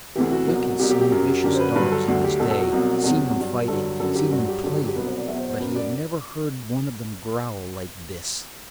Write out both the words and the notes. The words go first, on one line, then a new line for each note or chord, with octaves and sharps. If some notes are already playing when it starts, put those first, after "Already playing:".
Vic had seen vicious dogs in his day, seen them fighting, seen them playing, but he had never heard one of them growl like this.
D2 C3 E3 G4
F#4
C2 B2 F#3
C2 B2 F#3 G4
G4
G4
F#2 F#3
F#2 D3 F#3 G4
C5
B4
G2 D3 F#3 B4
A4
D2 D3 F#3 F#4
G4
E2 B2 F#3 A4
A4
F#4
C2 B2 F#3
E2 C3 F#3
G2 F#3
G2 D3 F#3 A4
F#2 D3 F#3 A4
G4
G2 F#3 F#4
G4
G2 D3 F#3 G4
G4
G4
C2 B2 F#3 B4
C5
D5
E2 B2 F#3 E5
C5
C5
F#2 F#3 B4
D5